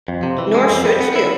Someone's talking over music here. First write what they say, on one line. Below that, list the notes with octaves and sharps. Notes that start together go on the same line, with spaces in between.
Nor should you.
F2
C3
E3
G#3
F2
G3
B3
E4